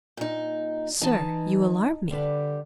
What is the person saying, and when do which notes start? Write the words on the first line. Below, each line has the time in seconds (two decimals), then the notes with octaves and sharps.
"Sir, you alarm me."
0.17 A#2 D#4
1.02 E3 D#4 A5
2.11 D3 G3 D4 B4